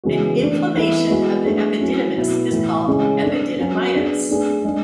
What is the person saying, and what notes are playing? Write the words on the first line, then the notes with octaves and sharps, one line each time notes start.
An inflammation of the epididymis is called epididymitis.
C#3 E3 G#3 B3 F#4
E3 A3 D4
E3 B3 E4 A4 E5
G#3 B3 F#4
A3 D4 G#4
F#3 C#4 E4
B2 F#3 B3 E4
A2 E3 A3 E4
C#3 G#3 C#4
B3 D4 A4 D5
F#3 C#4 F#4
B3 D4 G#4
A3 D4 G#4
G#3 D4